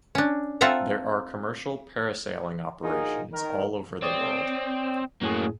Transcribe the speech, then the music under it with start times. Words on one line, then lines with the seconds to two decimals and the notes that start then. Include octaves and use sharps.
There are commercial parasailing operations all over the world.
0.15 C#4 D4
0.61 C4 F4 A4 E5 F#5 A#5
2.83 A#1 D#4 F4 F#4 G#4 A#4
3.33 D#3 A#4
4.02 C4 C#5 D5 D#6
5.22 F#2 A2 A#3 F#4 G#4